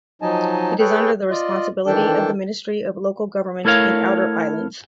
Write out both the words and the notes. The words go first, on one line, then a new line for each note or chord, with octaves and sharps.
It is under the responsibility of the Ministry of Local Government and Outer Islands.
F3 F#3 D#4 D#5 G#5 A5
G#4 A4 B4 C#5 G5
F4 D5 D#5
D#3 E3 D4 A4 G5 A5
A3 E4 A#4 C#5 F5